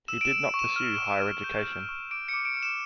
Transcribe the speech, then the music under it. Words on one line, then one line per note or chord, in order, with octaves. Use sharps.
He did not pursue higher education.
E6 E7
D7
E7
E6
C#6
E7
F6
C#6
F6
G6
G6
C#6
D6 D7
D6 C#7
D7
F6
E7